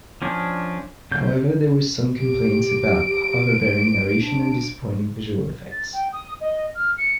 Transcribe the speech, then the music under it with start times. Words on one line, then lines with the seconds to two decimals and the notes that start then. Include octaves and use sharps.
However, there were some complaints about overbearing narration and disappointing visual effects.
0.22 F3 C#4 D4
1.12 C#3 G6
2.19 G4 D7
4.19 D4
5.72 A6
5.93 G5
6.12 D#6
6.41 D#5
6.75 F6
6.98 C#7